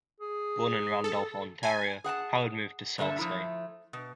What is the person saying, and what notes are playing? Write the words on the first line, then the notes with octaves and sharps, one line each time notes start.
Born in Randolph, Ontario, Howard moved to Sault Ste.
G#4
A4
G#5
G#4 F#5 G5 A5
G2 D3 A#3 A4 E5 A5
F3 A3 E4 A#5
B2